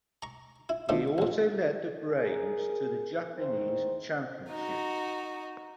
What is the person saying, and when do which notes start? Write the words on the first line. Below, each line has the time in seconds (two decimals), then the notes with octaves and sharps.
He also led the Braves to the Japanese championship.
0.22 A#5 C#6
0.69 E4
0.89 D#3 F3 A3 D4 D#4
1.18 A1 F2
2.09 G#4 A#4
3.38 E2 D#3 C5
4.49 D#4 F#4